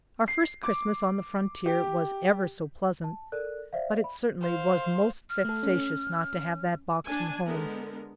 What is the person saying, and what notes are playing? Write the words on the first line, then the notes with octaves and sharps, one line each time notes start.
OUR first Christmas on the frontier was ever so pleasant, but it certainly was most vexatious not to have that box from home.
C7
D6
G4
A5
A4 A#4 D5 F#6
C5 D5 E5 F5
B5
C5 F5
F6
A3 A4
C#4
D4 G#5
D3 G#3 B3 A#4